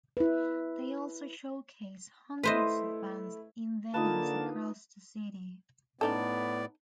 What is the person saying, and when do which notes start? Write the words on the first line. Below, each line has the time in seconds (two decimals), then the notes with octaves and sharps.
They also showcased hundreds of bands in venues across the city.
0.17 E4 B4
2.43 A3 E4 B4 C5 D#5
3.94 D3 A#3 D#4 F4 A4 B4 F5 A5
6.01 A2 B3 C#4 D#4 A4 D5